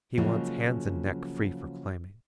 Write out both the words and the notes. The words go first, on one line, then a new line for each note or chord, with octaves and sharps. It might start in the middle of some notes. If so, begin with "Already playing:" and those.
He wants hands and neck free for climbing.
C#3 F3 F#3 G#3 A#3 C#4